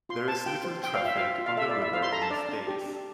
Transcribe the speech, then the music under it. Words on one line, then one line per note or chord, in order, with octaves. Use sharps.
There is little traffic on the river these days.
F4 C6
C5 A5
F4 G5
C5
C5 G5
F5
F4 E5
C5 F5
F4
F5
A4 E5
D5
E4
E5
C5 F5
C6
A4 A#5
A5
D4 D5
D4
G4
D4